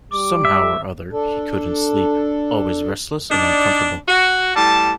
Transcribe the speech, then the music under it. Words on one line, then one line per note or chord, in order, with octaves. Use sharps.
Somehow or other he couldn’t sleep — always restless and uncomfortable.
G3 D6
E5
D4 A4
D4 D#4 D5
F#4
A2 G3 A5